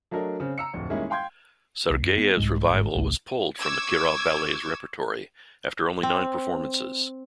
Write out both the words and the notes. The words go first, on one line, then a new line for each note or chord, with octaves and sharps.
Sergeyev's revival was pulled from the Kirov Ballet's repertory after only nine performances.
F#3 A3 D4 A#4 D#5
C#3 C4
A#5 E6 C#7
D1 F2
D#3 G3 G#3 A#3 C#4 E4
F5 G5 C6 G6 G#6
C2
F#2
B3
C2 G#2 G#3
G1 G#2
G#1 C#2 A3
C#6 D6 E6 G#6
C4